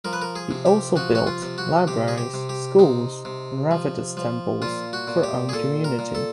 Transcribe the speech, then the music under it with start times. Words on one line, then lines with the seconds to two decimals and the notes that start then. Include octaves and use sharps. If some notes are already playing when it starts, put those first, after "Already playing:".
He also built libraries schools and Ravidas temples for own community.
0.05 F3 A#4
0.13 B4
0.22 A#4
0.36 G#4
0.51 C3
0.66 G4
0.96 F3 F#4
1.15 F#4
1.27 F4
1.42 C3
1.58 F#4
1.87 C3 G4
2.08 G#4
2.18 G4
2.34 C3
2.49 G4
2.79 C3 D#4
3.25 C3
3.71 F3
4.17 F3
4.62 A#2 F4
4.93 F#4
5.07 A#2
5.23 G4
5.49 G#4
5.53 A#2 A4
5.84 A#4
5.99 A#2
6.15 A4